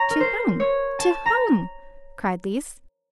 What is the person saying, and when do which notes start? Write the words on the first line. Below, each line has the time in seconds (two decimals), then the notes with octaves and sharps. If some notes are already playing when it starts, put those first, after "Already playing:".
"To whom, to whom?" cried Lise.
Already playing: C#5 A#5
0.10 A#4
0.20 C5
0.60 C#5
0.99 A5
1.26 A#5